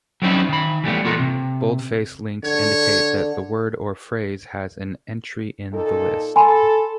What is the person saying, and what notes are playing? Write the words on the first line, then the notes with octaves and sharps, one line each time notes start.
Boldface links indicate that the word or phrase has an entry in the list.
F#3 G3 C4 C#4 D#4 E4
D#3 B5
E3 G3 A3 B3
A#3 B3 F4 F#4 A4 A#4
C3
D3 C#5
A#2 D#4 A4
A4 G#5 B5 C6